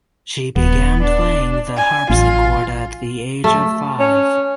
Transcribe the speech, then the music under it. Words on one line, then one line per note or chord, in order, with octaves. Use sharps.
She began playing the harpsichord at the age of five.
D#1 B3
D4
G#5
A1 F4
A3
C#4